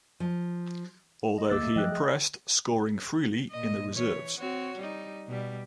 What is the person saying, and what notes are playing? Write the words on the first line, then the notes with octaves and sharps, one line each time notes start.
Although he impressed, scoring freely in the reserves.
F3
D#5
D2 A#3 D6 E6 A6
A3
F3 D#5 G5 F#6
G#4
A#2 D#5
E3 C#5
C4 F#4 C#5
G3 D#4
B2 G3